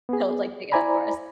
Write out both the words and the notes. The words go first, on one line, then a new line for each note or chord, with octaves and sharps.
he'll, like, pick it up for us.
B3 G#4
E4 C5 D5 G#5 A#5 B5